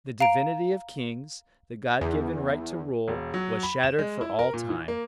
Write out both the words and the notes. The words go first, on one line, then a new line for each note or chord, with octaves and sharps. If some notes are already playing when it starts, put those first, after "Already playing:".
The divinity of kings, the God-given right to rule, was shattered for all time.
F5 A#5 D7
E2
E1
F#3
B5
E7
G#3
E4
A#4
A#2
E3
A#3